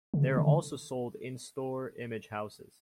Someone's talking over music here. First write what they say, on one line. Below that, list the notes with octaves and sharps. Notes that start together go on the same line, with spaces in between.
They are also sold in store image houses.
C#3
D3